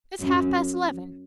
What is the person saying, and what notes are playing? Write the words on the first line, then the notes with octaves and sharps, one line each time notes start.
It's half-past eleven.
F#2